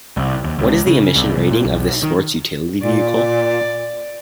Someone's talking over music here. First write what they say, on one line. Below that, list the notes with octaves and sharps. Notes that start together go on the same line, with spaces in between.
What is the emission rating of this sports utility vehicle?
C2
D#2
C#2
C#3
C2
C2
A#2
B1
D#3
A#2 D5